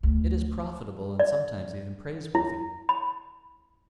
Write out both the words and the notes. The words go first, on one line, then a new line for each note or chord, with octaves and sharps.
It is profitable and sometimes even praiseworthy.
D2
D5
E4
B5